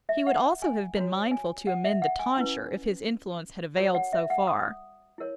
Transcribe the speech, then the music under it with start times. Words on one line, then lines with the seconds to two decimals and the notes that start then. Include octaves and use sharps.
He would also have been mindful to amend the tonsure, if his influence had availed so far.
0.09 E5
0.27 F#5
0.62 G#5
0.97 F#4 C#5 A#5
1.31 G#5
1.67 F#5
1.84 E5
2.02 F#5
2.19 G#5
2.37 C#4 E4 B4 A#5
3.77 F#4 A#4 C#5 A#5
3.95 F#5
4.13 E5
4.30 F#5
4.47 D#6
5.18 E4 A#4 C#5